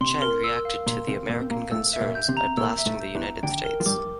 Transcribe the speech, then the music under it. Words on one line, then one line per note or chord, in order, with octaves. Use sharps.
Chen reacted to the American concerns by blasting the United States.
C3 C4 C6
A#4
E6
F5
A#2 A#3 C6
C3 C4 A#4
A#2 A#3 E6
C4
A#2 A#3 F5
A2 A3 E6
E5
A#2 A#3
G6
C3 C4
A#5
A#2 A#3 E6
E5
A2 A3
G6
E2 E3
A#5
D2 D3 G5
A#4
F3
G2 G3 D6